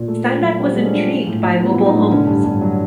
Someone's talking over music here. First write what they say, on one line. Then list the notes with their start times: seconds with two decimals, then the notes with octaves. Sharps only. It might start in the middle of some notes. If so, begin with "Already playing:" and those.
Steinbeck was intrigued by mobile homes.
Already playing: A#2
0.08 A3
0.25 F4
0.42 F#3
0.59 G3 C4
0.76 G#3 A3
0.86 C#4
0.93 D4 F4
1.10 F#3 C#4
1.27 A2
1.43 A2
1.60 B3 F4
1.72 E4
1.77 F#3
1.86 D#4
1.94 A2 D4
2.11 D3 C#4
2.27 G2
2.44 G2
2.61 F#3